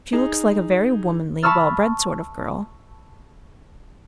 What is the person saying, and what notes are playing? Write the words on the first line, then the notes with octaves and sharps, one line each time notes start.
She looks like a very womanly, well-bred sort of girl.
D#4 G#4
A5 B5 C#6 E6 F6 A6